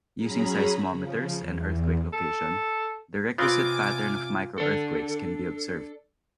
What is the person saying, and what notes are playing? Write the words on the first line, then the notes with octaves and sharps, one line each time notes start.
Using seismometers and earthquake location, the requisite pattern of micro-earthquakes can be observed.
F#3 C#4 G#4 A#5 B5
C#3 F3
E2
A4
C3 B3 C4 F4 G#5 D6
D4 A4